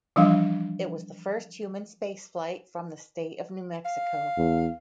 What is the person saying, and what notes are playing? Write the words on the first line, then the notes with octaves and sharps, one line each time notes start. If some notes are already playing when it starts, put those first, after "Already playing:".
It was the first human spaceflight from the state of New Mexico.
E3 F3 G3 D4 F5
F5
E2